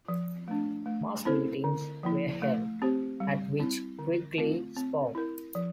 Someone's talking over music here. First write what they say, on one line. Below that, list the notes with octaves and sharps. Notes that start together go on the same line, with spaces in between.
Mass meetings were held, at which Quigley spoke.
F3
A3 D4
A3
C4 E4 A4 C5
D3
F3 A#3 E4
A3
C4 G4 C5
G3
C4 E4
D3
A3 C4 F4
C4
E4 A#4
F3